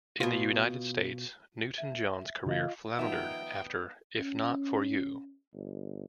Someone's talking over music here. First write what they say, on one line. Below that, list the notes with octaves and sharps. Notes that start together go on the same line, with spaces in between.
In the United States, Newton-John's career floundered after If Not For You.
B2 F4
E5
C#3 E3 A3 F4 D#5 F5
D#3 F3 B3 D#4 F4 E5 G5
C#4
G1